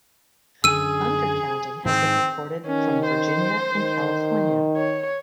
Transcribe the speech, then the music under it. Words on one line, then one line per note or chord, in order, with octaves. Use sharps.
Undercounting has been reported from Virginia and California.
F#2 D3 G#4 E6 D#7
G#2 D#3 C4
D#3 C#4
C5
D#3
C#5